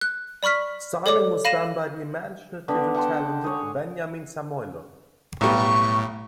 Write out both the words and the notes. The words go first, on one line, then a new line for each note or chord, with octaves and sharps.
Styling was done by "the imaginative and talented Veniamin Samoilov".
F#6
D5 B5 C#6 F6 B6
A4 C#5 D5 D6
F5 B5 A#6 D#7 E7
D3 B3 G4 D5
F#5 G5 A5 C6
G#4 C#5
B1 A2 G3 C#6